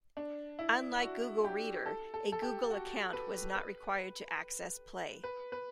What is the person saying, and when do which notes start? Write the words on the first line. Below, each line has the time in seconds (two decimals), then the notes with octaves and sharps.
Unlike Google Reader, a Google Account was not required to access Play.
0.17 D4
0.59 E4
1.01 F#4
1.44 G4
1.86 A4
2.14 A4
2.32 A4
2.42 G4
2.70 F#4
3.13 B4
3.55 B4
5.24 B4
5.52 B4